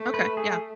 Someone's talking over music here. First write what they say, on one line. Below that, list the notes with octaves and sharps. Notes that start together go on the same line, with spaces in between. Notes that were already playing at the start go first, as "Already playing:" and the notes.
Okay. Yeah.
Already playing: A3
B4
G#4